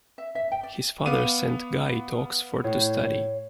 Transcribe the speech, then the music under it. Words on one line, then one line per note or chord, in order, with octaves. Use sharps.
His father sent Ghai to Oxford to study.
E5
E5
G5
D5
B3 F5 D6 D#7
A2 C#5